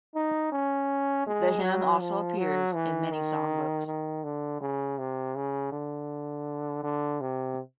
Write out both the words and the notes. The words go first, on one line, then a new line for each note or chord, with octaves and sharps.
The hymn also appears in many songbooks.
D#4
C#4
G#3
F#3
F3
F#3
E3
D#3
D#3
D3
C#3
C3
C#3
D3
D3
C3